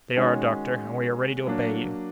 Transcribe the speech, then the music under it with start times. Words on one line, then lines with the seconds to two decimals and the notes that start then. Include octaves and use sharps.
"They are, doctor, and we are ready to obey you."
0.16 D#3 G#3 C#4 F#4
1.47 F#3 A#3 D4